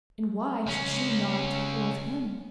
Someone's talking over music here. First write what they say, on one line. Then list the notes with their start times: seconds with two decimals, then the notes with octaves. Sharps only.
And why should she not--love him?
0.66 C#2 C#4